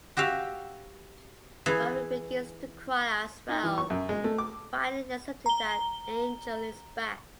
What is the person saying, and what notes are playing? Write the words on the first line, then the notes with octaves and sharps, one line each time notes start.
Buffy begins to cry as well, finally accepting that Angel is back.
F#4 G4 E5 F5
E3 G#4
D#4
E3
C#6
F#2
G#3
A3
D6
A#5 G7